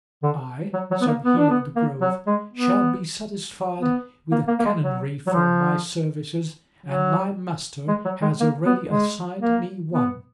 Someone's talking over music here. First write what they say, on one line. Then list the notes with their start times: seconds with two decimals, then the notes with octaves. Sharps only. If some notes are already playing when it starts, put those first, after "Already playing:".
"I," said he of the Grove, "shall be satisfied with a canonry for my services, and my master has already assigned me one."
0.23 D3
0.74 F#3
0.91 F#3
1.01 B3
1.08 A#3
1.24 B3
1.37 D4
1.50 B3
1.76 A#3
2.01 F#3
2.27 G#3
2.53 B3
3.80 B3
4.32 A#3
4.48 A#3
4.60 A#3
4.65 G#3
4.82 F#3
5.27 F#3
5.33 F3
6.86 F#3
7.88 G#3
8.05 F#3
8.22 G#3
8.40 A#3
8.66 B3
8.90 G#3
9.41 A#3
9.92 B3